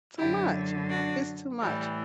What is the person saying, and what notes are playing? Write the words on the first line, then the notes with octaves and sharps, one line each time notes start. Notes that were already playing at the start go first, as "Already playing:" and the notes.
too much, it's too much.
F#2 D3 F#3 E4 G4
D4 F#4
A2 E3 G3